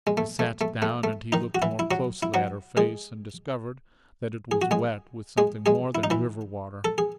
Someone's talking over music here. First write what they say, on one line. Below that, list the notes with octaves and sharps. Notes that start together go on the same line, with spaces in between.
They sat down, and he looked more closely at her face and discovered that it was wet with something more than river water.
G#3
A3
A3
A3
A3
A3
D#3 D#4
F#4
E3 E4
E4
F#3 F#4
E4
F#3 F#4
G#3 G#4
G#4
F#4
G#3 G#4
G#3 G#4
G#3 G#4
E4
D#4
E3 E4
A4
G#4